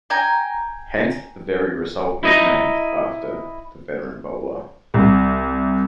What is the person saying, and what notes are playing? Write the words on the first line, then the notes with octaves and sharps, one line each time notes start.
Hence, the very result is named after the veteran bowler.
G5 G#5 A#5
E4 D#5 A#5
C2